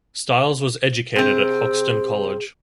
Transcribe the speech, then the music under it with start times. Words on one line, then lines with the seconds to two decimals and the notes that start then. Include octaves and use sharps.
Styles was educated at Hoxton College.
1.16 C3 C4 G#4